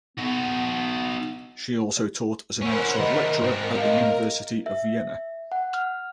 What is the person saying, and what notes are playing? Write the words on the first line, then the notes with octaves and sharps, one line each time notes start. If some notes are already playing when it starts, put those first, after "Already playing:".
She also taught as an outside lecturer at the University of Vienna.
B3 D#4 F#4
C#4 E4 A#4 C5 F#5
D#3 A3 A#4 D#5 B5
G#2 C4 C5
D#5 F5
E5
F#5
F6